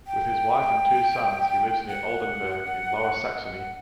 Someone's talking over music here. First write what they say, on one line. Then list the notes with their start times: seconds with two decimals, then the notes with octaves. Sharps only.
With his wife and two sons he lives near Oldenburg in Lower Saxony.
0.07 G5
1.88 F#5